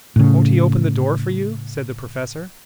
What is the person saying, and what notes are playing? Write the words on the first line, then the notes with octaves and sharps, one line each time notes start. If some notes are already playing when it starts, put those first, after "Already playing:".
"Won't he open the door for you?" said the Professor.
A2 C#3